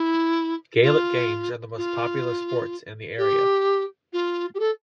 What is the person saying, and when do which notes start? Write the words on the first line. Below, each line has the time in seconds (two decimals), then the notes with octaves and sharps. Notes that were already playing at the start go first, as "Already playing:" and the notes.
Gaelic games are the most popular sports in the area.
Already playing: E4
0.82 F4
1.77 F4
3.18 G4
4.13 F4
4.55 G4
4.59 A4